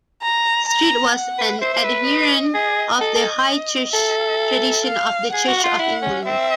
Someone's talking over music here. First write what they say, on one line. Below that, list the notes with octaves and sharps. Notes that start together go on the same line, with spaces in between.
Street was an adherent of the high church tradition of the Church of England.
A#5
A#5
F#5
B4
C5 E5
C5
B4
D#5
G#4
A4 D#5
A4
A4 E5
F5
G#4 F#5
F#4
F4
E4
C#4
C4 E5